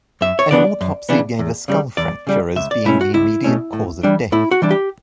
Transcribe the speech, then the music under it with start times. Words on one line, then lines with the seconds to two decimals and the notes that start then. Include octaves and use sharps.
An autopsy gave a skull fracture as being the immediate cause of death.
0.21 F#2 E5
0.39 C#5
0.51 C#3 E3 B3 D4 D5
0.81 F#2
1.09 C#3 E3 B3 D4
1.39 E2
1.68 C#3 G3
1.97 E2 D5
2.27 C#3 G3
2.56 C#2 E5
2.71 D5
2.85 B2 A3 C#4 E4
3.01 F#4
3.14 C#2 E4
3.44 B2 A3 C#4
3.73 A2
4.03 E3 G3 D4
4.32 A2 E4
4.51 F#4
4.62 E3 G3 D4
4.71 G4